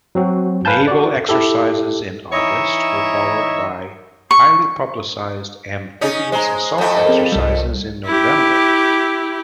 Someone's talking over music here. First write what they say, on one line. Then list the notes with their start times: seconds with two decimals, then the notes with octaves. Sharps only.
Naval exercises in August were followed by highly publicized amphibious assault exercises in November.
0.15 F#3 C4 F#4
0.65 B4 F5 G#5 A5 G6
0.88 F#4 D5
1.29 E4 G4 A4
2.32 E3 D#4 C#5 D#5 E5 A#5
4.31 C#6
6.01 C#4 D#4
6.32 G#3 C5 A#5
6.78 F2 A3
7.06 C4 G#4 A#4
7.32 C2 G3
8.05 E4 G4